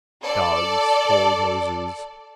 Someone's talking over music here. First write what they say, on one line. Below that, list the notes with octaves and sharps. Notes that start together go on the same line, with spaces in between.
Dogs' cold noses.
A4 D5